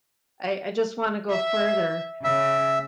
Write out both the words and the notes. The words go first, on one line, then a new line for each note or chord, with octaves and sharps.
I I just wanna go further.
E5
C#3 E5